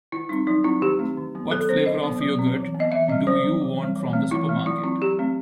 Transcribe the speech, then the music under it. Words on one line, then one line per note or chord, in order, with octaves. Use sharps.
What flavour of yoghurt do you want from the supermarket?
D#3 E4
G3 C4 D#4
F#3 D#4
C4 E4
D#3 G4
A3 C4
D#3
F#3 B3
F#3 A4
C4 C5
D#3 D#5
F#3 B3
F#3
C4
E3
B3
D#5
E3 E5
G3 C4 D#5
F#3 C5
C4
E3
G3 C4
E3
A3 C4
E3 E4
A3 C4
F#3 E4
C4 E4
F#3 G4
A3 C4